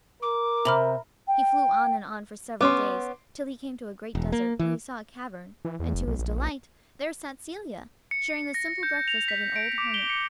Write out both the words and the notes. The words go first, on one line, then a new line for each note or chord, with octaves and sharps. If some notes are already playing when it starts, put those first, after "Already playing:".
He flew on and on for several days, till he came to a great desert, where he saw a cavern, and, to his delight, there sat Celia, sharing the simple breakfast of an old hermit.
A#4 D6
C3 A#5 B5 F6
G5
B3 C#4 C6 D6
E1
A#3
E3
E3
E2
F1
B1
A#1
A#1
C#7
A#6
G6
F7
B6
D7
D6
G7
C#7